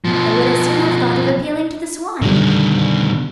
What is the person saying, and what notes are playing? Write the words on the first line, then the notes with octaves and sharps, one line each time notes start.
They would as soon have thought of appealing to the swine.
B2 F3
B2 D3 D#3 G3